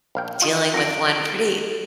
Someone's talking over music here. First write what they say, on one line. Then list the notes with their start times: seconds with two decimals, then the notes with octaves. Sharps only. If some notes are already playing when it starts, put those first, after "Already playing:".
dealing with one pretty
0.15 A#1 F5 G5
0.42 F4 D#5
0.74 F2 A#6 D7